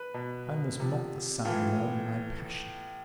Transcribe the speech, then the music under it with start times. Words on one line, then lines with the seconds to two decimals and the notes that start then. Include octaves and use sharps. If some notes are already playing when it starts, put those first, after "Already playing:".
I almost mocked the sound aloud in my passion.
Already playing: B4
0.14 B2
0.80 C3 F3
1.45 A2 E3 F4